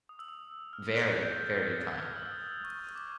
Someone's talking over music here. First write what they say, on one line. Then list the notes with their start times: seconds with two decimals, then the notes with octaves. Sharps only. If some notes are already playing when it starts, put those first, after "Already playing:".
Very, very kind.
0.09 D#6
0.19 E6
0.28 D#6
0.73 F6
0.84 F6
0.94 F#6
1.04 F6
1.20 G6
1.37 A6
1.51 G#6
1.64 A6
2.00 F6
2.16 E6
2.31 D#6
2.48 D#6
2.64 C#6
2.79 C#6
2.95 D6